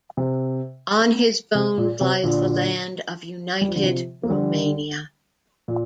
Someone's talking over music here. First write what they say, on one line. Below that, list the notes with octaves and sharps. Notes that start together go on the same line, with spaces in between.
On his bones lies the land of united Romania.
C3
C3
A#2
C3
A#2 D3
G3
F3
D3
C3 F3
A#3
D3 G3
A#2